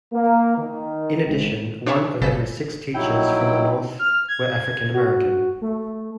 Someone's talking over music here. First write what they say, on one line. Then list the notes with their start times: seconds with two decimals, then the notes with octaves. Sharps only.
In addition, one of every six teachers from the North were African American.
0.13 A#3
0.58 D#3
1.28 G#1
1.86 D4 C5 C#5 E5 F5
2.22 G1 C#3 A4 B6
2.94 A#1 F#3 D#4 E4 G5
3.99 F6
4.28 G#6
4.94 F#4
5.62 A3